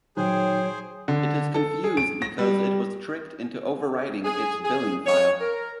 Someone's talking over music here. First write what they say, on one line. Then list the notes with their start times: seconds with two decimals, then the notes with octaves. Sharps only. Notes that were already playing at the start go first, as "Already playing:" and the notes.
It is confused because it was tricked into overwriting its billing file.
0.17 A#2 D#3 F#3 D#4 G#4 C5 C#5 G5
1.08 D3
1.54 A4
1.84 G#4
1.97 D7
2.22 A#6
2.39 G3
4.25 G#4
4.64 G#4
5.06 C#5
5.41 A#4